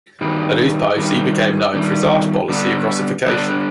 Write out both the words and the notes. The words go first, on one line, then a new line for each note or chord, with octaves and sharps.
At these posts, he became known for his harsh policy of Russification.
G2 D#3 G3
G2 D#3 G3
G2 D#3 G3
D3 G3 B3 D4
D3 G3 B3 D4